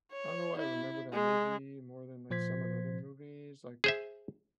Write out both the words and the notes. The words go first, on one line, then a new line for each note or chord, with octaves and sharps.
I don't know why I remember that movie more than like some of the other movies, like
C#5
E4
G#3
A#2 F3 C5 G#6 B6
G#4 C5 E5